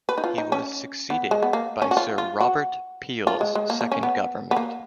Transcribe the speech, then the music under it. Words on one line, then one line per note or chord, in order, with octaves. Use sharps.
He was succeeded by Sir Robert Peel's second government.
B4
D#4
F4
D#4
C#4
B3
G#3
B3
A#3
C#4
F#4
F4
F4
F#4
F4
G#3
G#3
A#3
A#3
C#4
B3
B3
A#3